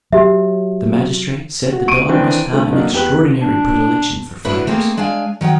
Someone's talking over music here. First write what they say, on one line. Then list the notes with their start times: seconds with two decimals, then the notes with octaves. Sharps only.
The magistrate said the dog must have an extraordinary predilection for fires.
0.13 F#3 G4 E5
1.72 F#4
1.88 C#6 D7 D#7
2.09 D#3 E3 C4 D4
2.53 D3 A3
2.73 F#3 A#3 D4 D#4
2.93 E2 G4 B4 F#6
3.42 D4
4.45 A2 D4 E4 F#4 B4
4.67 A3 A#3 C4 G#4
4.97 G#3 D4 D5 F5 G#5
5.41 D#3 F#3 D#4 G5